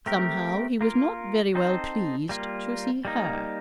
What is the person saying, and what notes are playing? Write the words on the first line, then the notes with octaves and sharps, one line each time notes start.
Somehow he was not very well pleased to see her.
A3 C4 G4 A#4
A#3 F4 A#4
C4 D#4 A4 C5
G3 A#3 F4
G3 A#3 D#4